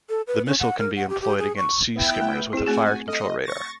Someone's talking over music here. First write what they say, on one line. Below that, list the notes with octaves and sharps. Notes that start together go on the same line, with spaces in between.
The missile can be employed against Sea skimmers with a fire control radar.
A4
B4
C#4
F#5
A#4
F#5
G4
G4
G#4
C#6
B3 E4 G5
A3
C4 E4 G#4
A3 C4 F#4 G#4 G#5
A4 D#5
C#6 A6 A#6